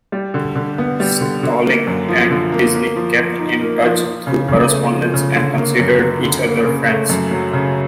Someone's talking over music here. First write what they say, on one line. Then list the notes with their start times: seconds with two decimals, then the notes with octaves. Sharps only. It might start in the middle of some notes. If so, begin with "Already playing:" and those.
Stalling and Disney kept in touch through correspondence, and considered each other friends.
0.12 G3
0.34 D3
0.55 D3
0.78 B3
1.00 G3
1.21 D3
1.43 D3
1.66 A#3
1.87 F#2
2.08 F3
2.30 D3
2.52 A#3
2.74 A#3
2.95 F3
3.18 F3
3.39 D#4
3.62 A#3
3.83 F3
4.05 F3
4.27 C#3
4.48 C#3
4.70 A3
4.92 F3
5.14 C#3
5.36 D3
5.57 A#3
5.79 F#2
6.01 F#3
6.23 D3
6.45 A#3
6.66 C#3
6.88 A3
7.09 F#2
7.31 F#3
7.53 C#3